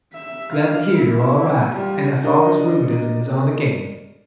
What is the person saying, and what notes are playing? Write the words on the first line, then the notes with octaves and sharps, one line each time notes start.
Glad to hear you're all right and that father's rheumatism is on the gain.
E5
D4 F5
E4
F#3 E4
G3 F4
D4 A#4 D#5